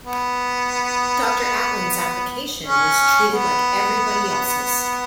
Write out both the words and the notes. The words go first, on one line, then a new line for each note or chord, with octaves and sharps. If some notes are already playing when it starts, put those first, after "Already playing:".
Doctor Atwan's application was treated like everybody else's.
B3
C#4
B3